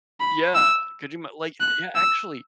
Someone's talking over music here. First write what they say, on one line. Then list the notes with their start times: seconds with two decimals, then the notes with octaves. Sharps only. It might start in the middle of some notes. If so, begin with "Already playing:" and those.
Yeah. Could you ma like, yeah, actually
0.20 B5
0.55 E6
1.60 F#6
1.96 E6